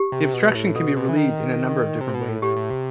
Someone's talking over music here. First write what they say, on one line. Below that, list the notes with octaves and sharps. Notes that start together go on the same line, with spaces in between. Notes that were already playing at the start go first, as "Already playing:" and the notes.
The obstruction can be relieved in a number of different ways.
Already playing: G4
C3
C3
B2
A2
B2 A4
B2
E3
D#3
C3
B2
A2
A2 G4
A2
C3